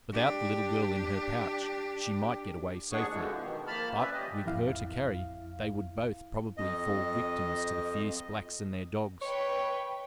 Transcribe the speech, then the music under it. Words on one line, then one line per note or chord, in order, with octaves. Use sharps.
Without the little girl in her pouch, she might get away safely; but, with her to carry, they would both probably fall victims to the fierce Blacks and their dogs.
D4 G4
D#2 G#3 B3 D4 G#4 C#6
F2 B2 D3 E3 F3 G#3
B2 D#3
F3 A#3 A5 B5 F6
C#4 B4 D5 E5
G4 D#5
A1 F2 E4 F5
F2 D#5
B4 C#5 G5